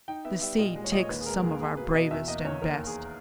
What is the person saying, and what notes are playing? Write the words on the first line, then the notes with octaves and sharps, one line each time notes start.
The sea takes some of our bravest and best.
D#4 G5
B3 E5
G3 E5
A#2 D#5
G#3
C#5
A#2 D#5
C#5
D#2 B4
G#4
G#3 A#4
D#2 G#4
A#3 G#4
B2 B4
B2 D#5
E2 E5
A#3 D#5
E2 C#5
D#2 A#4
D#2
G#4